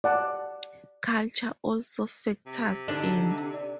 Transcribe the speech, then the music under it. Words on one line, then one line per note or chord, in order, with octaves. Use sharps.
Culture also factors in.
D5 F#5 A5
C3
D3 D4 D#4 D5
D5